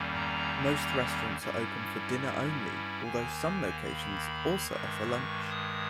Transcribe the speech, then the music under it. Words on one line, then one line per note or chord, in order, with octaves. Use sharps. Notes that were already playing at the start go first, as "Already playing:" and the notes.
Most restaurants are open for dinner only, although some locations also offer lunch.
Already playing: E2 D#3 G3 A#3 C#4
A#5
G2 G3 C#4 E4
D#2 D#3 A#3 G#5
B5
B5
G2 D#3 G#3 C#6
D#6